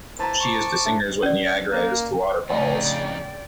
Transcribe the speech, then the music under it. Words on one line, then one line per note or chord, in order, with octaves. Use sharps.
She is to singers what Niagara is to waterfalls.
E3 C5 A5 A#5
C#6 D6
A3 D4
C#4 D5
A#3
F2 A2 C#3 D#4 D5 G5